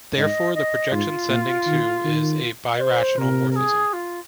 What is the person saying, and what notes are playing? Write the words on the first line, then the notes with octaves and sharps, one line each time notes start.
Therefore, the projection sending to is a birational morphism.
G#2 D#5
D#5
G#2 F4
A#2
D#3
D#3
D#5
C5
C3 A#4
A#4
G#4
F4